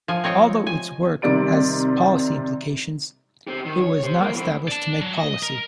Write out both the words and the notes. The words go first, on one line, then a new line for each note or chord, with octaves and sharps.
Although its work has policy implications, it was not established to make policy.
F3 G#5
C4 C#5 D#5 G5
G#5
C3 D#3 G3 D5 D7
C4 G4
D#3
C#5
G4 C5
G2 A#3
E3 C4
D5 A5
F#3
D#5
A#4